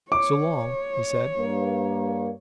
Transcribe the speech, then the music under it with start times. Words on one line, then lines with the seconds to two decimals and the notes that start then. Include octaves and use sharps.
"So long," he said.
0.12 C#5 D6
1.38 G2 A#3